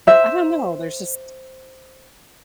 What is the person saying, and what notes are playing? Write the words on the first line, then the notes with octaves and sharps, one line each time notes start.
I don't know, there's just
C5 E5